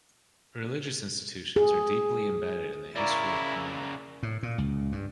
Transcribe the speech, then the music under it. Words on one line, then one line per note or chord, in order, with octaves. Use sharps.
Religious institutions are deeply embedded in the history of Pomona.
G#4
C#3 A#3 E4 D5 A#5 C#6
A2
A#2
C#2
G2